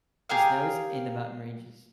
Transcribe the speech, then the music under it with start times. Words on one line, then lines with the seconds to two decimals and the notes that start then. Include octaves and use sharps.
It snows in the mountain ranges.
0.29 G4 G#4 A#4 F5